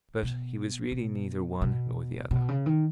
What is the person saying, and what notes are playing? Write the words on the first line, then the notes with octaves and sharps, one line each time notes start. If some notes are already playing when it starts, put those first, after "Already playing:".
But he was really neither one nor the other.
B2
B2
B2
B2
C#3
D#3